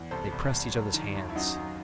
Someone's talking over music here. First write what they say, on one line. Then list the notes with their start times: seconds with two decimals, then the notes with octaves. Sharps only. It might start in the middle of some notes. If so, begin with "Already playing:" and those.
They pressed each other's hands.
Already playing: E2
0.11 C2 A4 C5
0.32 C2
0.53 C2
0.74 F#3
0.94 D#3
1.15 D#2
1.29 E4
1.36 F#2 D#4 F#4
1.56 F#2